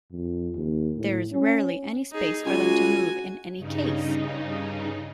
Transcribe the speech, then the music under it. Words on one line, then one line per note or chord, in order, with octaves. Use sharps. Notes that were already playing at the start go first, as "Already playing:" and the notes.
There is rarely any space for them to move in any case.
F2
D#2
A2
C#4
D#4 G#4
C#2 F#4 G#5
G2 C#3 D#4